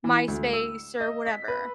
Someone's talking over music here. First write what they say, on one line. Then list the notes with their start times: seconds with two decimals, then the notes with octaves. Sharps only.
MySpace or whatever.
0.04 E3
0.28 D2
0.53 E6
1.00 D#5
1.27 B6
1.48 B4